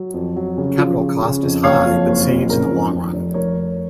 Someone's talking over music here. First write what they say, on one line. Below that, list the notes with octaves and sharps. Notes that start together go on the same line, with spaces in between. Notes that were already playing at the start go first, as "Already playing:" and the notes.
Capital cost is high, but saves in the long run.
Already playing: F#3
F2
F#3
C#3
F3
C#3
C#3
F2
F#1 C#5 F5
F2
F#1
F2
C#3 A#4
F2
F1
F1
F1 A#4 C#5
F1